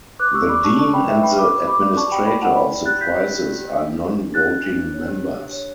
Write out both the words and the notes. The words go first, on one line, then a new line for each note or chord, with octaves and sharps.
The dean and the administrator of the prizes are non-voting members.
B4 D6 F#6
G4 C#6 E6
D5 B5 D6
G4 A5 C#6
D5 A5 C#6
G4 G5 B5
B4 E5 G5
B4 G5 B5
B4 B5 D6
B4
G4 B5 D6
D5
D5 A5 C#6
G4 G5 B5
G4 G5 B5
E4 F#5 A5
D5 G5 B5
D5
G4 F#6 A6
G4 G6 B6
D5
G4
G4
G4
D4
D4
G4
D4
D4 F#6 A6
D4
D4
D4
C#5
G4
G4
G4
C#5